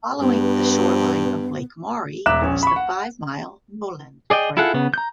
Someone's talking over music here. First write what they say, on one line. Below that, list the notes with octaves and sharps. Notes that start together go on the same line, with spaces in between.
Following the shoreline of Lake Maury is the five-mile Noland Trail.
G2 B3
E1 E5 A#5 D6 F#6 E7
A#1 C#4
B5 C#6
F#5
G#4 D5 D#5 G5
E4 F4 G#4 A4 F#5
C#3 B3
A#5 G6